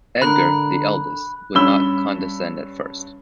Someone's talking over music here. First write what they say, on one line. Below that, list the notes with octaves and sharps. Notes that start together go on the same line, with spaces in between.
Edgar, the eldest, would not condescend at first.
D3 A#4 B5 F#6
G2 C#4 B5 E6 G7